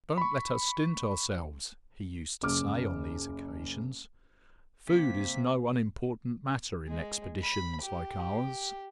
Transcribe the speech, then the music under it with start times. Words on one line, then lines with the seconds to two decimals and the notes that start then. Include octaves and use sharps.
"Don't let us stint ourselves," he used to say on these occasions; "food is no unimportant matter in expeditions like ours."
0.18 B5 C#6
2.43 F#1 C#4 D6 F6
4.88 C3 A#3 C4 B6
6.88 G#3
7.42 B5
7.81 G4